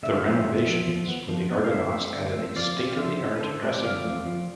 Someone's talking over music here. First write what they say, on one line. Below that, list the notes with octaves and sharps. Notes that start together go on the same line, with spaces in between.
The renovations for the Argonauts added a state-of-the-art dressing room.
D3 E5
F5
F3 B3 C5 E5
D3
F3 B3
F3
B3
F3
B3
F5
D3 C5 E5
A3 C4
D3
A3 C4
F3 D5 F5
C4
F5
F3 C5 E5
C4
B4
D3 A4 C5
A3 C4 B4 D5
D3 D5 F5
A3 C4
F3